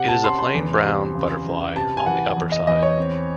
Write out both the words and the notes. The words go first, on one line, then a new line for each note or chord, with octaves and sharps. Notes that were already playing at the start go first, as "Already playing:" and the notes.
It is a plain brown butterfly on the upperside.
Already playing: C3 F#5
A5
C#4 C6
C6
E2
C3
C#2
C#2
C3 A5
G#5
E3 F#5
E2
D#5
E2 D#5
C#5
C4